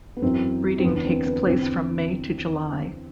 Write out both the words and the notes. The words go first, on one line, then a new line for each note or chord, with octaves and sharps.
Breeding takes place from May to July.
B3
F#2 E3 C4
C4
E2 D3 B3
D4
C4
B3
E2 D3 C4